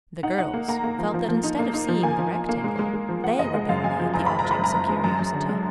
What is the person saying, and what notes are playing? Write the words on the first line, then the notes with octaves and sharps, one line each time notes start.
The girls felt that instead of seeing the Rectangle they were being made the objects of curiosity.
D#4 F#5
D#4 F#5
A#3
A#3 A#5
A#3
F3
F3
F3
D#4
A#3
D#4
F3
A#3 G#5
F3
F3
A#3
G#3
G#3
G#3
F3
F3 F#5
F#1 D#5
G#3 D#5
F#2 F5
F#2 G#5
F3
F#1 A#5
F#1 B5
F#1 A#5
B5
F#1
A#5
F#1
G#3
F#2 A#5
F#2
D3
G#3